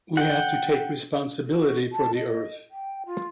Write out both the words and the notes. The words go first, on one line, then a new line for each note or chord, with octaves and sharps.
We have to take responsibility for the earth.
F#5 G5
F#4
A5
D#5
G5
F4